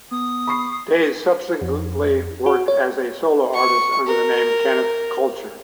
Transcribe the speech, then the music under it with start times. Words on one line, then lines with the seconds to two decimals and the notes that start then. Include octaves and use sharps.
Dayes subsequently worked as a solo artist under the name Kenneth Culture.
0.11 B3 D#6
0.47 B5 C#6 C7
1.61 F2
2.46 F#4
2.68 C#5
3.53 C#6
4.07 A#4